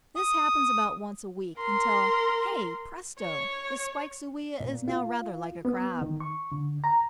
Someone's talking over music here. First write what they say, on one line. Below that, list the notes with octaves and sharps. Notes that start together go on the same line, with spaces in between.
This happens about once a week, until, hey presto! the spiked zoea is now rather like a Crab.
D#6
A#4 C6
C#5
A#2
F4
B3
D#3
C#6
D3
A#5